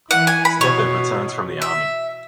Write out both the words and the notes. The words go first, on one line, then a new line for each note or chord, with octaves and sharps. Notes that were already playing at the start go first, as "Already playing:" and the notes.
Stepan returns from the army.
E3 F#5
G#5
B5
B2 C#5
E5